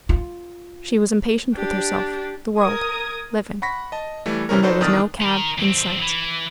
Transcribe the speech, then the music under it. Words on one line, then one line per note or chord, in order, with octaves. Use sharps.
She was impatient with herself, the world, living,--and there was no cab in sight.
F4
D4 G4
A#4 D#6 G#6
F#5 B5 C#6 A#6 B6
D#5 A5
E3 G3 A3
C3 E3 C#4 A#4
D#4 F#4 A4 B4 C5 D5
E2 D#3 D4 D#6 F6 A6
D#4 A#4
E2 C4
E3